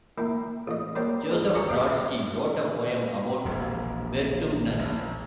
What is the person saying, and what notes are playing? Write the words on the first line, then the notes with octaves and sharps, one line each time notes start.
Joseph Brodsky wrote a poem about Vertumnus.
A#3 E4 G5
A1 D#5
F#3 G3 A#3 G4 C5 G5
G#2 G#3
F#2 D5 G#5 A#5 C#6 D#6
D#5 F5 G5 D6 D#6
E1 A#1 E2
A#1